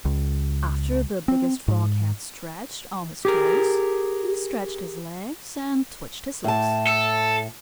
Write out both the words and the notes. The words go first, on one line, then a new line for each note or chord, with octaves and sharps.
After the Biggest Frog had stretched all his toes, he stretched his legs and twitched his lips.
C#2
C4
G#2
G4 G#4 A#4
A2 A5
A4